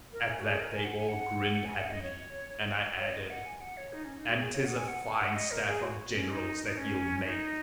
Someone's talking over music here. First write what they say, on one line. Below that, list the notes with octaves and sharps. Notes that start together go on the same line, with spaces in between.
At that they all grinned happily, and I added: "And 'tis a fine staff of generals that ye'll make!"
A#4
G#5
F#4
G#4
A#4
G#5
F#5
G#5
F#5
G#5
F#5
D#5
C#5
C#5
D#5
D#5
F#5
G#5
F#5
C#5
D#4
C#4
D#4
F#4
G#4
C#5
F#5
G#5
F#5
G#5
F#5
D#5
A#4
G#4
F#4
C#4
D#4
D#4
C#4
D#4